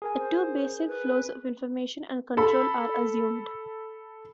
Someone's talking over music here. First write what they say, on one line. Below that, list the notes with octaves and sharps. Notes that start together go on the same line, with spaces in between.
The two basic flows of information and control are assumed.
G#4 A#4 G#5
C5
B4
A4 B5